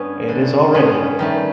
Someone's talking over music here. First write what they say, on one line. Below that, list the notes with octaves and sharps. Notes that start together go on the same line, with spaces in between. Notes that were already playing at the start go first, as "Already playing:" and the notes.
It is already.
Already playing: G2 B3 C#4
D3
G2 B3 C#4
D#3 G3 A3